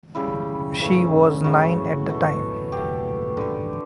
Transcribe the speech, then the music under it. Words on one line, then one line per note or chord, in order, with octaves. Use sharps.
She was nine at the time.
C#3 G3 E4
C#3 E3 A3
C#3 E3 A3 F#4
B2 A3
B2 A3 G4
D3 G3